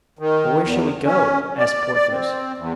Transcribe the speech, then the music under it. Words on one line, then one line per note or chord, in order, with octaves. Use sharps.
"But where shall we go?" asked Porthos.
D#3
E2
C#4
D5
D5
C4
E2